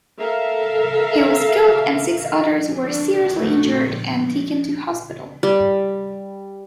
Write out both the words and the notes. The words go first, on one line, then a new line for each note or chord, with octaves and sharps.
He was killed and six others were seriously injured and taken to hospital.
A4 A#4 E5 F5
D4
A3 F#4
G3